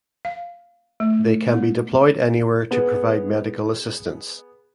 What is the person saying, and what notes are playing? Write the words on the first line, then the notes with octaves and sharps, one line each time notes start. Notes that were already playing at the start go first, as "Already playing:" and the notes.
They can be deployed anywhere to provide medical assistance.
F5
A3
B3
B3 G#4